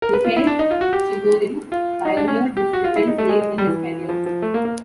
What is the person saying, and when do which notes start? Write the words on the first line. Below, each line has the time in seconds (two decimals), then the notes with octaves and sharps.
Mikhail Chigorin pioneered this defense late in his career.
0.02 A#4
0.13 B4
0.24 F4
0.36 E4
0.47 D4
0.59 D#4
0.71 F4
0.81 F#4
0.93 G4
1.72 F4
2.05 D#4
2.17 D4
2.28 C#4
2.57 G4
2.73 F#4
2.84 F4
2.96 E4
3.08 D#4
3.18 A3
3.29 G#3
3.42 G#3
3.58 G3
3.67 E3
4.09 F3
4.26 F3
4.42 A3
4.54 A#3
4.65 A#3